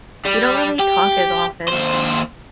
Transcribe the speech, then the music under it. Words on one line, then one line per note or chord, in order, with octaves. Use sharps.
we don't really talk as often.
G3
G4
D#2 C5